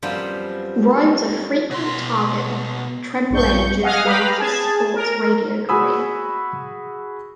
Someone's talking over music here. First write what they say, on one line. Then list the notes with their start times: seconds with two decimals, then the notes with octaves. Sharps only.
Roy was a frequent target of Tremblay during the latter's sports radio career.
0.02 F#2 F3 G3 B3 C4 F4
1.70 B2 C6
3.30 A#1 G2 C#6 G6
3.83 D#5 F5 F#5 G#5 D#6 F6
4.05 G4 B4 F5 G5 A#5 B5
4.38 G#4 A5 G#6
4.94 A#4
5.69 F#4 G#4 G#5 B5 D#6 E6